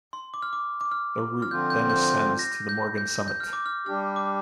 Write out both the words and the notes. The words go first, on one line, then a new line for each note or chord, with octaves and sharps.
The route then ascends to the Morgan Summit.
C6
D6
F6
D6
D6
F6
F6
D3 F3 C4 F4 G6
G6
G6
G6
A#6
G6
G6
G6
F6
D6
F6
G3 D4 G4 F6
D6